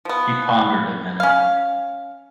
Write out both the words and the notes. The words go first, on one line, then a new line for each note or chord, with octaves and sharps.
He pondered a minute.
F3 B3
C#4 F5